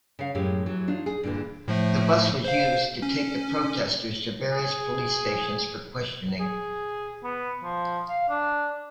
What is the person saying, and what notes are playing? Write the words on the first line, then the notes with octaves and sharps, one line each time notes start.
The bus was used to take the protestors to various police stations for questioning.
C#3 F5
F#2 A2 G#3 G4
E3 F#3
D4 D#4 F4
G#4
G2 A#2 D3 E3 G#3
A2 F3 A3
C5 F5
C#4
G#4
G#4
B3
F3
F5
D4